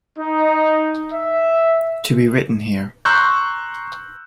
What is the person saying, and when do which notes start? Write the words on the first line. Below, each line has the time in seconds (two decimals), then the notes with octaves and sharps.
To be written here.
0.19 D#4
1.13 E5
3.05 A#5 C6 C#6 E6 F#6 G6